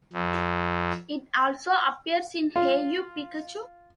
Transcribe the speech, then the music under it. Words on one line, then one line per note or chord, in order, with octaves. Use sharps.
It also appears in Hey You, Pikachu!
F2
F4